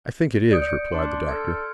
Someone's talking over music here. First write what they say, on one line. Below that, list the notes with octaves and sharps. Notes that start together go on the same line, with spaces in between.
"I think it is," replied the Doctor.
D5 D#6 G6 C#7 D7
D4 C6
A4 F6 G#6